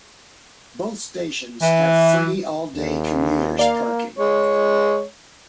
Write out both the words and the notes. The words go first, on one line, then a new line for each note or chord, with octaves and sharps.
Both stations have free all-day commuters parking.
E3
D#2
A#3 D5 F5
G#3 C#5